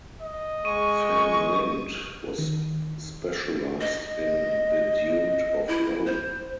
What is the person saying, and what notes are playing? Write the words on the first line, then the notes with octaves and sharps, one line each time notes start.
Van Lint was specialized in vedute of Rome.
D#5
G#3 C#6 D#7
D#3
D#5
E4
C5